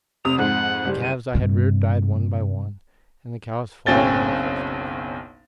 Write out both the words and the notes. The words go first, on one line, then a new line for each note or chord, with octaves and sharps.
The calves I had reared died one by one, and the cows followed in their footsteps.
F1 C3 D#6 F7
F2 G#2 F#5
F#1 G3
D#7
G2 C3
F#1 B1 C4 C#4 A6 G7